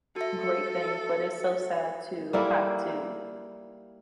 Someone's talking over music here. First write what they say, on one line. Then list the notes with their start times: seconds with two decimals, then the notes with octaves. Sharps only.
great thing, but it's so sad to have to,
0.16 F#4 A4 E5
2.33 G3 A#3 E4 A4